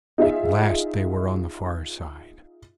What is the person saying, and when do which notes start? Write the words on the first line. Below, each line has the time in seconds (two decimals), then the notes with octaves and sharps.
At last they were on the far side.
0.18 D#4 F4 G#4 E5